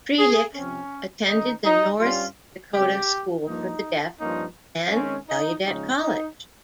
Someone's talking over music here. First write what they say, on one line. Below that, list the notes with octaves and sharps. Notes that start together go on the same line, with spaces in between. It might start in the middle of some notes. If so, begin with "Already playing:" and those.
Frelich attended the North Dakota School for the Deaf and Gallaudet College.
G#4
C3 F3 C4 C#4
D#3 A#3 C#4 D#4
D#4
G2 G3 C#4 F4
C#3 G#3 C4 G4
G2 F3 A#3 D#4
G2 F3 A#3 C#4 D#4
D#3 G#3 C4 C#4
D#4
C#3 F3 G#3 C#4 D#4
D#4